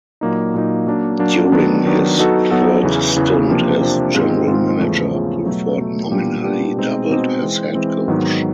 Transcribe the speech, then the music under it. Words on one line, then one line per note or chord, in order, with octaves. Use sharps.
During his third stint as general manager, Pulford nominally doubled as head coach.
A#2 F#3 A#3 D#4
A#2 F#3 A#3 D#4
F#3 A#3 D4
F#3 A#3 D4
D#3 F#3 B3 D4
D#3 F#3 B3 D4
F#3 B3 D#4 F#4 A4
F#3 B3 D#4 F#4 A4
E2 C#3 E3
E2 C#3 E3
C3 F3 A#3 D4
C3 F3 A#3 D4
G#2 D#3 G#3 C4 F4
G#2 D#3 G#3 C4 F4
E2 C#3 F3 A3
E2 C#3 F3 A3
B2 F#3 A3
B2 F#3 A3
A#2 G3 B3 D4 G4
A#2 G3 B3 D4 G4
B2 G#3 C4 D#4 G#4
B2 G#3 C4 D#4 G#4
E3 G#3 C4
E3 G#3 C4
G#2 D#3 F#3 B3